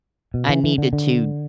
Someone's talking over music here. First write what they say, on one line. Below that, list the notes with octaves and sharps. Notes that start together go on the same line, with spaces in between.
I needed to
B2
E3
E3
D3
D3